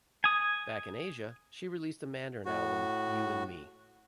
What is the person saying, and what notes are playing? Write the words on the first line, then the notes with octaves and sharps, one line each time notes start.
Back in Asia, she released a Mandarin album "You and me".
G#5 D#6
A2 F#4